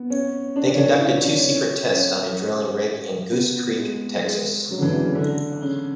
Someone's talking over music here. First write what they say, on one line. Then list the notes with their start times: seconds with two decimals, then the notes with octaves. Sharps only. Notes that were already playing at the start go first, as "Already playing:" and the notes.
They conducted two secret tests on a drilling rig in Goose Creek, Texas.
Already playing: B3
0.10 C#4
0.56 D4
0.67 D4
0.74 C#4
0.79 D4
0.91 E4
1.17 D4
1.33 C#4
1.47 C#4
1.94 C#4
3.32 B3
3.79 G#3
4.25 G#3
4.71 F#3
4.78 D3
4.82 E3
4.94 C#3
5.05 C#3
5.16 D3
5.62 C#3